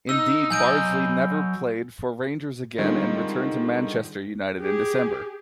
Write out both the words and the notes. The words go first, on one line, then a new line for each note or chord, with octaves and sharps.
Indeed, Bardsley never played for Rangers again and returned to Manchester United in December.
D#4 E6
F#3 D#5 G#5 G6 D7
D3 D#3 G3 G#3 C4 F4
G4 G#4